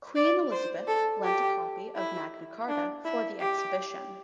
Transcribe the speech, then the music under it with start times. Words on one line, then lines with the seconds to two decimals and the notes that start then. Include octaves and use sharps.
Queen Elizabeth lent a copy of Magna Carta for the exhibition.
0.16 D5
0.51 C5
0.88 A4
1.24 G4
1.97 E4
2.68 D4
3.05 E4
3.41 G4